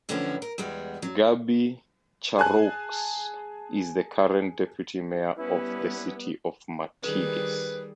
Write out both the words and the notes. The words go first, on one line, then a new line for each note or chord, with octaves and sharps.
Gaby Charroux is the current deputy Mayor of the City of Martigues.
F#2 A2 D3 F3 B3 C#4
A#4
E2 G3 G#3 B3
F#3
G#4 G#5 A5 F#6
G3 B3 C#4 E4 B4
D#3 G3 G#4 B4